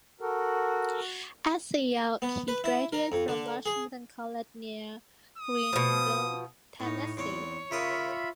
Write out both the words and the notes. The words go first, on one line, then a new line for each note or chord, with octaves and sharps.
As a youth he graduated from Washington College near Greeneville, Tennessee.
F#4 A4 A#4
B3
B4
E4
A#4
F2
D3
G#4
D#6
B2 F3
A2 D#4 C#5
E2 C4 C#5
C#3 F4 A#4 E5 B5 D#6